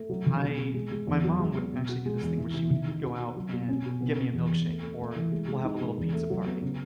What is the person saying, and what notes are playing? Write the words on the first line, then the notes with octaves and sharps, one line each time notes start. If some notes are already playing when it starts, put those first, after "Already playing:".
I my mom would actually do this thing where she would go out and get me a milkshake, or we'll have a little pizza party.
Already playing: A3
F#3
D#3
B2
G#4
G#3
G#3
E2
F#3
G#3
B3
B2
F#4
G#3
E2
E3
E3
D#3
D#4
F#4
F#4
F#3
B2
C#4
B2
B3
B3
E2
E2
A3
A3
A3
E3
G#3
G#3
D#4
G#3
E2
A3
F#3
B3
C#3